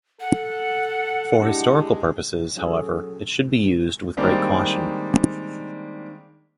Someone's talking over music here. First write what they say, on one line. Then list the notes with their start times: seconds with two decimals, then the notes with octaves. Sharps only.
For historical purposes, however, it should be used with great caution.
0.20 A4 F#5
1.42 G#3 D4 E4 G4
2.56 F#3 C#4 G#4 A4
4.17 D#3 G3 G#3 A#3 C4 D4